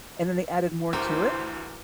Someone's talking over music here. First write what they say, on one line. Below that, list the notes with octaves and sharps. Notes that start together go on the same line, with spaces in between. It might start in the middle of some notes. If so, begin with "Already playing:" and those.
and then they added more to it.
D2 E3 G4 A#4 C5 G5